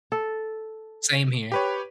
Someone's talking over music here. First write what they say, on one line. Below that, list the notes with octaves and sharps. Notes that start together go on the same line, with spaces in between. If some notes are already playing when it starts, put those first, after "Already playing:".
Same here.
A4
G4 B4 C#5